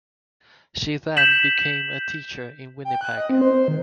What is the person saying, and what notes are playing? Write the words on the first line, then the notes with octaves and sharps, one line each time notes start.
She then became a teacher in Winnipeg.
G6 B6 E7 F#7
G5
F#6
D#5
C4
C5
D#3